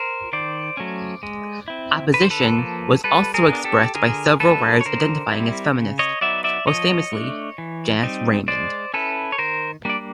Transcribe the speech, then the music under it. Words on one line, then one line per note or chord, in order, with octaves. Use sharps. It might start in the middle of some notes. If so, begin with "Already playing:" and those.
Opposition was also expressed by several writers identifying as feminist, most famously Janice Raymond.
Already playing: A#4 C5
D#3 C5 D5
F#3 A3 C#4
G#3
C4 E4
D3 B4
C5
A4 B4
F3 A#3
G3 A4 B4
G#4 A#4
B3 D4
G4 A4
D3 G#4 A#4
F#3 A3 D4 A4 B4
C#5
D3 A#4 C5
G3 C4 E4
C#3
C#5 D#5
F#3 B3 D#4 D5 E5
D5 E5
F3 C#5 D#5
A3 D4
E3
G3 C4 D#4
G#3 C5 D5
C#4 E4 A4 B4
C#5
D#3 A#4 C5
G3 A#3 D4 D5